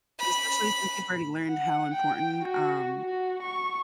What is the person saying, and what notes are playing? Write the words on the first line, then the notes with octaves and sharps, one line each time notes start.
And especially since you've already learned how important, um,
B5
F#5
G5
F#4
F#4
C#6